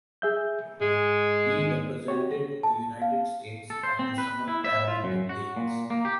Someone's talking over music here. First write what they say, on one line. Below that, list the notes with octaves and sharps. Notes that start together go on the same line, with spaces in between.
He represented the United States at the Summer Paralympic Games.
G#4 E5 G6
G#2 G#3
F#4 G4 C#5
A5
F5
A4
C5
C4
B4
E4
E5
F4
F#2
F#4
A#2
A#3
G4